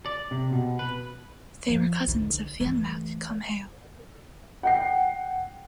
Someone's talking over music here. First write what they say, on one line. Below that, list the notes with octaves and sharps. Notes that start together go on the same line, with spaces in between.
They were cousins of Fionn mac Cumhaill.
D5
C3
B2
B4
F3
D3 D#4
E3 A3
F#5 G5 C7